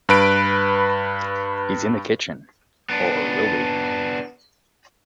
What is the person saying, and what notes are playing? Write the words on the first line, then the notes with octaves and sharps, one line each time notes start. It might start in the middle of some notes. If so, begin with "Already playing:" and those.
He's in the kitchen — or will be.
G2 B4 D7
B3 D4